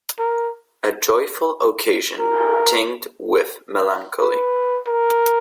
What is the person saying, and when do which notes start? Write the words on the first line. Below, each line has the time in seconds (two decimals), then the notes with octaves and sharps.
A joyful occasion tinged with melancholy.
0.19 A#4
2.19 A#4
4.20 B4
4.87 A#4